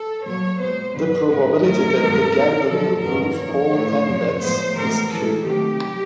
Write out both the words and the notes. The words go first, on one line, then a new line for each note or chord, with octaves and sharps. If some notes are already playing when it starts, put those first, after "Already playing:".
The probability that the gambler will lose all "n" bets is "q".
Already playing: A4
A#2 F#3 A#3 C#5
B2 G#3 B3 C5
G2 D3 F#3 B3 B4
G#2 E3 G#3 B3
F#2 D#3 F#3 A3 A#4
G2 D#3 G#3 B3
B2 G3 B3
F2 D3 F#3 A4
G2 D#3 G#3 B3 A#4
A#2 F3 A#3 C#5
A2 E3 A3
F#2 C#3 F3 A3
A2 F3 G#3 B3 C5
A2 E3 G#3 B3 A#4
A2 E3 G#3 A4
C3 D#3 F#3 A3 G4